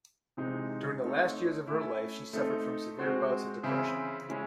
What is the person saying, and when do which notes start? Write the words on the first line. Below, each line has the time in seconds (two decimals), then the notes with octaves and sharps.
During the last years of her life, she suffered from severe bouts of depression.
0.37 C3 E3 G#3 C4 D#4
1.03 A3 C4 D#4 A4 C#5
1.67 A3 C#4 E4
2.33 A3 C4 D#4 A4
2.99 G#3 C4 F#4 C5
3.63 C#3 E3 C4 E4 G#4
4.29 G#3 C#4 E4